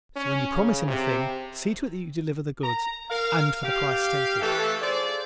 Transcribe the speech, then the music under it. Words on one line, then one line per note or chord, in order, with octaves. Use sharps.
So when you promise him a thing see to it that you deliver the goods and for the price stated.
C#4
C#3
C3
A#5
A#4 F5
G4 F5
E3 A3 A4
F4 G#4 C5 D5